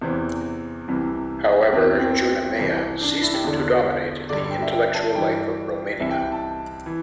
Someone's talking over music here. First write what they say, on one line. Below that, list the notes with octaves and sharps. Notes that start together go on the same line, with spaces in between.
However, "Junimea" ceased to dominate the intellectual life of Romania.
E2 C3 E3 C5
C2 C3 E3
E2 E3 C4
C4
C2 C3 E3
D4
D4
E4
G4
E2 D3
G2 D3 D5
D5
G5
E5
G5
A5
G2 E3 G5
C2 C3 E3 E5
G5
G5
A5
E3